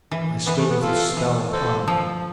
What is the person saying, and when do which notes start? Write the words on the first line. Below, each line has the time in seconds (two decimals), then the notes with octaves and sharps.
I stood with its spell upon me.
0.11 E3
0.47 E3 B3
0.59 A3
0.71 B3
0.82 F4 A4
1.17 E3
1.53 A4 C5
1.88 F3